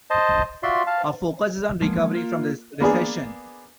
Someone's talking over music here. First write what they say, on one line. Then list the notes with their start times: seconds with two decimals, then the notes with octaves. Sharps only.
Our focus is on recovery from the recession.
0.10 C5 D#5 A5
0.63 F4 F#4 D5 E5 C6
0.87 F5 A5
1.82 F3 G#3 A#3 B3
2.15 A#3 F4
2.80 A#3 B3 D4 G#4